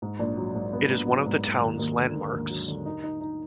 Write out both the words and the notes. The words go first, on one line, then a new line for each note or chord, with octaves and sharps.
It is one of the town's landmarks.
G#2
A#1
F#3
G#2
B3
A#1
F#3
G#2
A#3
D#2
D#2
D3
A#3
D#2
F#3
D3
D#4
D#4
D#4